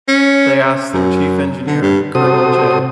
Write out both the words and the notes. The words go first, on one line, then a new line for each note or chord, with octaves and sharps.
They asked their Chief Engineer Colonel J.
C#4
F#2
D3
G2
C3 F#4 A4 C5 D#6